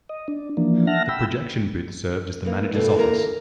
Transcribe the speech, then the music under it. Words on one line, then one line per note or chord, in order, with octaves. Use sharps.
The projection booth served as the manager's office.
D#5
D4
E3 F3 A#3 D4
E5 F#5 A5 F6 A#6
G5 B5 E6
E3 A#3
F2 B2 E3 G3 A3 B3
D3 E3 A#3 A#4 A#5